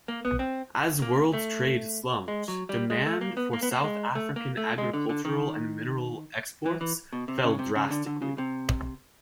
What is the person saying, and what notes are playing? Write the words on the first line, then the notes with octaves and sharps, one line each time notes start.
As world trade slumped, demand for South African agricultural and mineral exports fell drastically.
A#3
B3
C4
A#3
A3
G#3
F#3
G3
G#3
A3
A#3
B3
A#3
B3
A#3
G#3
A3
A#3
A3
G#3
D3
D3
D#3
E3
E3
B2
C3
C#3
C3
C#3
D3
D3
C#3
C3